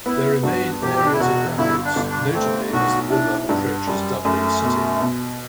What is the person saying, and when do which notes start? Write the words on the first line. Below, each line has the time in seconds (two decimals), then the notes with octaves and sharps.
There remain areas of rapids, notably as the river approaches Dublin city.
0.06 B3 E4
0.43 G2 F#4
0.82 E1 G4
0.97 C4
1.04 D4
1.13 E4
1.20 E1 F#4
1.58 G1 E4
1.84 D4
1.96 G1
2.10 D4
2.34 A3 C4
2.73 B1 F#4
3.10 D4 E4
3.49 G2 B3
3.87 F#2 G3
4.25 F#2 A3
4.63 B2
5.01 B2